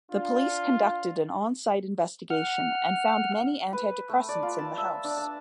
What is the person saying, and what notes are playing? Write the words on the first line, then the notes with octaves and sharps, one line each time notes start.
The police conducted an on-site investigation and found many anti-depressants in the house.
D4 F4
F#5 F6
B4
A3
D5
F4
A5
E5
D4
A5